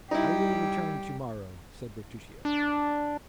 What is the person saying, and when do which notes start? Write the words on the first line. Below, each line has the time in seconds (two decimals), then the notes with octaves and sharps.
"I will return to-morrow," said Bertuccio.
0.11 G3 D#4 E4 G4
2.45 D4